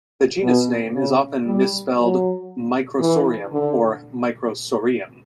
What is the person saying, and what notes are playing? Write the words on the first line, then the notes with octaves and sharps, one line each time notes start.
The genus name is often misspelled "Microsorium" or "Microsoreum".
B2
C#3
G3
F#3
E3
D3